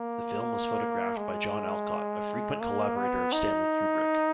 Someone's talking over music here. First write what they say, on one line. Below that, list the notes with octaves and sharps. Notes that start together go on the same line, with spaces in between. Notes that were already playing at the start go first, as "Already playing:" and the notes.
The film was photographed by John Alcott, a frequent collaborator of Stanley Kubrick.
Already playing: A#3
G#3
A#3
B3
D#4